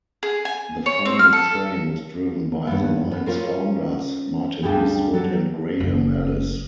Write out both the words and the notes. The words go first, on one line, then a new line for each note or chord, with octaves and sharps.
The final train was driven by the line's founders, Martin Eastwood and Graham Ellis.
G#4
G#5
C#5
C4
F6
A4
G2 B3
B3
C#4 F4 A#4 C5
D2 G2 G3 G#4 G5 A5
F#3 A4
F#1 E4